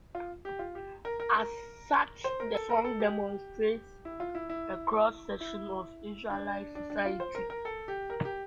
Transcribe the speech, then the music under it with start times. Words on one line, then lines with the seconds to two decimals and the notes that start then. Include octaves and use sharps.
As such, the song demonstrates a cross section of Israeli society.
0.15 F4
0.45 G4
0.59 F4
0.75 G4
1.05 A#4
1.20 A#4
1.35 A#4
2.24 C5
2.40 A#4
2.54 A4
2.69 A#4
2.84 A4
3.00 G4
4.05 E4
4.20 F4
4.35 E4
4.49 E4
5.41 E4
6.30 D4
6.75 D4
6.90 D4
7.05 F4
7.20 C5
7.35 A#4
7.50 A#4
7.65 A4
7.88 G4
8.10 A#4
8.25 G4